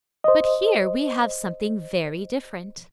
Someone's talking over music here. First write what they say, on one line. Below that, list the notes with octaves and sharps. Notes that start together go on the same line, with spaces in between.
But here we have something very different.
C5 D#5